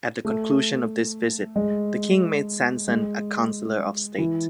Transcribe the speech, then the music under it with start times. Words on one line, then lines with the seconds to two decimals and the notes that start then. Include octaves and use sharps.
At the conclusion of this visit the king made Sanson a councillor of state.
0.25 A3
1.56 G#3
2.88 G#3
4.18 E3